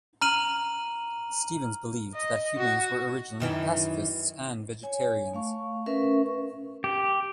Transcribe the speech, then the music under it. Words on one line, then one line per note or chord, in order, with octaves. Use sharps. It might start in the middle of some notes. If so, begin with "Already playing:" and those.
Stevens believed that humans were originally pacifists and vegetarians.
A#5 F6 D#7 F#7
D#5
F#4
F#2 D#3 E3
C#5 G#5
A3 F5 C#6
C#4 A#4 B4 E5 C#6
G4